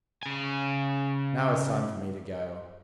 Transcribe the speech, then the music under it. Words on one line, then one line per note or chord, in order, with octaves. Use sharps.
Now it's time for me to go.
C#3 G#5